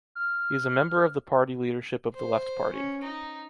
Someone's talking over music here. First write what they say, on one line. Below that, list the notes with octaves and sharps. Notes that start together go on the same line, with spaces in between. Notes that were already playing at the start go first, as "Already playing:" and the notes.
He is a member of the party leadership of the Left party.
F6
C5
C#4
D#4